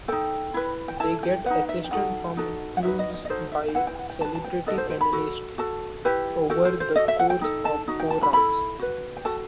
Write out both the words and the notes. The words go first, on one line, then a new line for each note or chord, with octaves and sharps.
They get assistance from clues by "celebrity panelists" over the course of four rounds.
D#4 A4 G5
E4 B4
G5
E4 A4 A5
G5
D#4 F#4 B4 F#5
E5
G5
D#4 F#4 A4 F#5
D#4 F#4 A4
F#5
D#4 F#4 B4 E5
D#5
D#5
D#5
D#4 F#4 A4 C5
E5
G5
E4 B4 F#5
G5
F#5
G5
F#4 B4 A5
A5
G5
D#4 F#4 A4 D#5
C5
C5
B5
F#4 A4
F#4 A4 A5
E4 G4 B4
F#4 A4 G5
C5
C5
F#4 A4 D#5
E5
F#5
G5
D#4 A4
A5
D#4 F#4
G5
A5
B5
E4 A4 B5
F#4 B4
G5
F#4 A4 A5